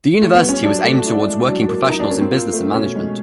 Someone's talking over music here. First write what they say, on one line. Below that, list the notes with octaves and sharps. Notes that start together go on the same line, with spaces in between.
The university was aimed towards working professionals in business and management.
A3 F4
B3
G3
C#4
F#3 D4
A3
E4
G#3
F#3 D4
A#3
F#3 D#4
D4
A#3 C#4
C4
F4
A3
B2 C#4
G#3